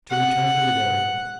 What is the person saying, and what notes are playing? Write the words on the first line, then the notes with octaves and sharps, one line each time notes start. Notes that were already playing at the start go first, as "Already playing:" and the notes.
To return to the dairying.
F#5